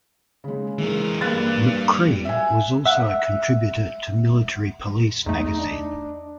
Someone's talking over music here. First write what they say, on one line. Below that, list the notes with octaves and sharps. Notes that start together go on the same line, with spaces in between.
McCree was also a contributor to "Military Police" magazine.
C#3 G#3
E3 G#3 A#4
G3 A#3 B4 F#6 A6
E5 G#5
E5 F#5
E2 A3 D#4
D4